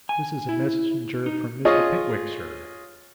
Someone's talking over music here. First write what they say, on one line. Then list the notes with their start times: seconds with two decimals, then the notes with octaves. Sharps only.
'This is a messenger from Mr. Pickwick, Sir.'
0.09 G#5
0.49 E4
1.26 D#4
1.65 F4 G#4 C#5 D#5 C#6 D#6